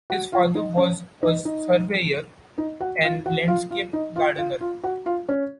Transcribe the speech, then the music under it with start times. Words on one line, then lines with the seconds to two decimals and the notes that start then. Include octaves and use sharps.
His father was a surveyor and landscape gardener.
0.10 F#4 F#5
0.32 F4 F5
0.55 D#4 D#5
0.77 C#4 C#5
1.23 D#4 D#5
1.45 D#4 D#5
2.58 D#4 D#5
2.80 F#4 F#5
3.03 F4 F5
3.26 F#4 F#5
3.48 F4 F5
3.71 F4 F5
3.93 D#4 D#5
4.16 F4 F5
4.38 F4 F5
4.61 F4 F5
4.84 F#4 F#5
5.06 F4 F5
5.28 C#4 C#5